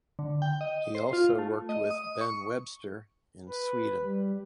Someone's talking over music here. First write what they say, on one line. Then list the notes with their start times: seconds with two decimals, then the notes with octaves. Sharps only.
He also worked with Ben Webster in Sweden.
0.19 D3
0.42 G5
0.61 D#5
0.95 C5
1.13 F4
1.39 A3
1.69 D#5
1.91 D#6
2.21 C#6
3.49 B4
4.02 G3